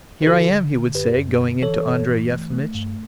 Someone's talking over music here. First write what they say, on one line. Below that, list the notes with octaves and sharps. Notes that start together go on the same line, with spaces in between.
"Here I am," he would say, going in to Andrey Yefimitch.
B4
D3 F#4 A4
D3
D3
F#2 G4 B4
F#2
D3
E3 A4 C#5
G2
E3
A3
A3
G2